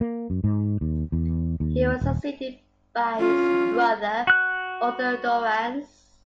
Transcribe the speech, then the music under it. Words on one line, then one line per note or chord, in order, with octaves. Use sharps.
He was succeeded by his brother, Arthur Dorrance.
A#3
F#2
G#2
D#2
E2
D#2
D#1
C#4 F4
F#4 F#6